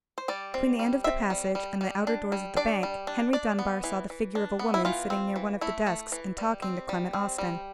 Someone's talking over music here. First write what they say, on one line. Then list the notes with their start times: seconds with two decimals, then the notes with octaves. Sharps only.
Between the end of the passage and the outer doors of the bank, Henry Dunbar saw the figure of a woman sitting near one of the desks and talking to Clement Austin.
0.18 C5
0.28 G3 D5
0.54 C4
0.79 G3
1.04 C4 E5
1.30 G3
1.55 G3
1.81 G3
2.07 D4
2.32 G3
2.57 D4 D5
2.83 G3
3.07 D4
3.33 D4 D5
3.59 B3
3.84 E3
4.10 E3
4.35 D4
4.59 B3
4.74 E4
4.85 E3 F4
5.10 C4
5.36 E3
5.61 A3 E4
5.86 A3
6.12 E3
6.38 G3
6.62 C4
6.89 G3
7.13 C4
7.38 G3